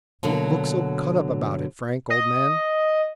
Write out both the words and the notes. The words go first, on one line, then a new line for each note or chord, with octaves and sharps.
Don't look so cut up about it, Frank, old man.
B2 D3 F#3 A#3
D#5